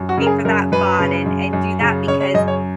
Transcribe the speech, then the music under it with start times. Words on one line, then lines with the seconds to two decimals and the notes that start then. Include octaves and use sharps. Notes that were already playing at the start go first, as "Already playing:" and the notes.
pay for that bot and and do that because
Already playing: F#2
0.09 F#4
0.18 C#3 A#4
0.27 G#4
0.45 F#2 A#4
0.72 F#2 B4
0.99 C#3
1.26 F#2
1.53 F#2
1.81 C#3
2.07 C#3 C#5
2.21 C#5
2.34 F#2 D#5
2.48 C#5